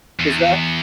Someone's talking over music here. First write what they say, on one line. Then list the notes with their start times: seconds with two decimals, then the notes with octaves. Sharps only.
is that
0.20 E2